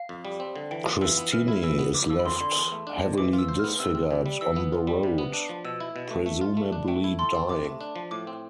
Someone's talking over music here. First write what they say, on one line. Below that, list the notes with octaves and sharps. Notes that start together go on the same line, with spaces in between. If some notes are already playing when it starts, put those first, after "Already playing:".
Christini is left heavily disfigured on the road, presumably dying.
Already playing: F5
F2
G3
C4
D3
E3 G5
F4
E3 E6
B3
E3 F6
E4
E3 E6
B3
F2 D6
F3 E6
B5
F2 C6
D3 C6
E2 C6
A3
D4
B2
E3 D6
F4
E6
C5
B3 F6
C3 E6
C4
C3
G3
E3 E6
B3
F4
G3
C3
B3
D4
F3
B2 E6
E4
B2
A3
A3
F4
A3
D4
A3 G5
E4
A4 C6
C4
C3 D6
A3
D4
F3
A2 D6
C4